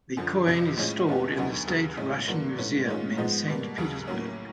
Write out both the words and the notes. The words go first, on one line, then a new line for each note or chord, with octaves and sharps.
The coin is stored in the State Russian Museum in Saint Petersburg.
F#2 D3 F3
F2 C3 F3
A2 F3 G#3 C#4 F4
E2 B2 G#3 C#4 F#4
D2 D3 F#3 B3 D#4
D#2 C#3 F#3
A2 F3 G#3 C#4 F4
G2 D3 F#3 A#3 D4
G#2 E3 A3 C#4
G#2 D#3 G#3 C#4 F4
G#2 F3 G#3 B3 D#4
B2 G3 A#3
D#2 C#3 F#3
A2 F#3 A#3 C#4